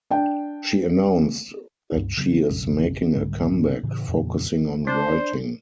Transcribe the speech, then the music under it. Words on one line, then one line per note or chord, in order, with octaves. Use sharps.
She announced that she is making a comeback, focusing on writing.
D4 G5
C#2 G2
C#3 F#3 A#3 B3
F1 B1 F#2 C#3
C2 G#2 D3 G3
A2 C#3 E3
F2 A#2 C#3 F3
D4 C5